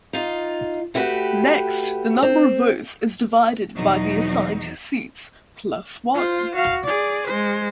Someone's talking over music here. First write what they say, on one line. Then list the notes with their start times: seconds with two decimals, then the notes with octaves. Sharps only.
Next, the number of votes is divided by the assigned seats "plus one".
0.13 D#4 F4
0.94 A3 E4 F#4 G4 B4
2.22 C4
3.76 E2 B2 F#3 D#4
6.14 F4 C5
6.55 F#4 F5
6.85 G#4 D5
7.27 G#3 C5